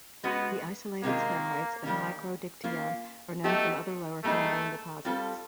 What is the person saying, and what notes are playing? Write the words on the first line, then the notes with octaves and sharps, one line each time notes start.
The isolated sclerites of "Microdictyon" are known from other Lower Cambrian deposits.
G#3 B3 C#4 F#4
C3 D#3 G#3 A#3 C#4 F4
D#3 G3 A#3 C#4
A#3 C#4 F4
F#3 A3 B3 D#4 G4
G3 A3 A#3 D#4 G#4
G3 C4 F4 A4